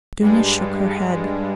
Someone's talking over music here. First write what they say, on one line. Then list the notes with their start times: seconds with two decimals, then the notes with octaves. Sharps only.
Dounia shook her head.
0.21 G2 G3 G#3